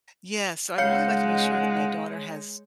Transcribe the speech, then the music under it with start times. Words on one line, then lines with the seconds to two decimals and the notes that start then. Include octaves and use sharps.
yeah, so I would really like to make sure that my daughter has,
0.78 C#2 G#3 D#4 C#5 F5 F#5 G6 C#7